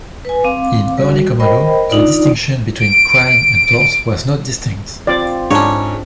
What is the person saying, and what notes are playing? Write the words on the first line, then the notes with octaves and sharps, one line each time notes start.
In early common law, the distinction between crime and tort was not distinct.
B4 G#5
C4 F5 D6
G3 F#4
A#4 C5 D#5 G5 B5
D4 D#4 F4 D5
D7
C4 F4 C5 D5
G#2 C#4 D4 C#5